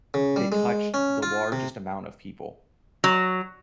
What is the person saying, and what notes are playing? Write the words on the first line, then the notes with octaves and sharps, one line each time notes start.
that touched the largest amount of people,
C#3
G3
G#3
C#4
F4
C3
F#3